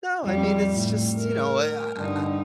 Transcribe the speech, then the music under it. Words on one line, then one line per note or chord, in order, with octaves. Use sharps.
No. I mean, it's just you know, eh, I I
F2 G3
A2
A#4
G2 D3 D#4